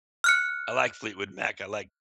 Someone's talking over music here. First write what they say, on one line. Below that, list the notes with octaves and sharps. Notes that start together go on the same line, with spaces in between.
I like Fleetwood Mac, I like
F6 F#6 C#7